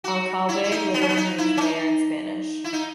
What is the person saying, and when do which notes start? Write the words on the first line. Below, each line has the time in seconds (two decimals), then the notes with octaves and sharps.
"Alcalde" literally means "Mayor" in Spanish.
0.04 F#4
0.49 E4
0.64 E4
0.71 D#4
0.94 B3
1.01 C#4
1.09 B3
1.17 D#4
1.38 E4
1.57 C#4
1.61 D#4
2.64 E4
2.73 D#4